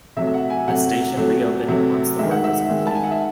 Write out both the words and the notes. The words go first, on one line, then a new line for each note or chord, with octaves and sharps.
The station reopened once the work was complete.
C3 F#3 A3 E5
E5
F#5
G#5
C3 F#3 A3 F#5
C3 F#3 A3
C3 F#3 A3
D#3 G#3 E5
F#5
E5
D#3 G#3
A5
G#5
F#5
E5